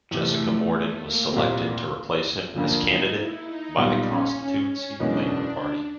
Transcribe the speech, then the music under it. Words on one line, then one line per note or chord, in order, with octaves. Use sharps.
Jessica Morden was selected to replace him as candidate by the Constituency Labour Party.
E2 C3 E3 A3
A3
A#3
C2 A#2 G3 C4
F2 D3 F3 A#3
D#4
E4
D#4
B1 A#2 G3 B3
C#4
C#4
F#1 E2 B2 G#3 C#4 D4